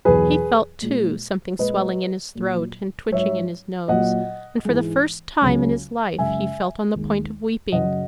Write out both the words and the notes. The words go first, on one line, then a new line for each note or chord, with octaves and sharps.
He felt, too, something swelling in his throat and twitching in his nose, and for the first time in his life he felt on the point of weeping.
E2 B2 F#3 G#4 B4
A#2 G#3
A#2 G#3 B4 D#5
A#2 F#3
G#2 F#3 C#5 E5
A#2 F#3 D#5 F#5
G#2 E3 G#3
C#2 C#3 F#3
F#2 C#3 G#3 E5 G#5
D#2 D#3 G#3
F#2 C#3 F#3 D#5 F#5